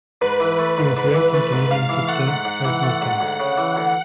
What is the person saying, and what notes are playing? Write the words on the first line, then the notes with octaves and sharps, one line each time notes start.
He was ranked in the Canadian top-ten five more times.
G#2 B4
E3
A3
G#2
G#2 B4
E3
A3 B4
G#2
G#2 F5
E3
A3 F#5
G#2
G#2
E3
A3
G#2
D2
C#3
E3
D2